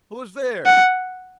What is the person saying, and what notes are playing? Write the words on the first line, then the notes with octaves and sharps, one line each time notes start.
Who is there?
F#5